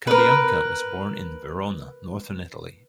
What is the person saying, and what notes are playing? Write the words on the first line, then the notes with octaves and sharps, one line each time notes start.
Cabianca was born in Verona, northern Italy.
A#4 B4